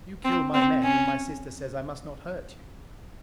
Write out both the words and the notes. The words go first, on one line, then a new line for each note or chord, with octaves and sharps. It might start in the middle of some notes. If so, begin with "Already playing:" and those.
You kill my men, and my sister says I must not hurt you.
C4
C4
C#4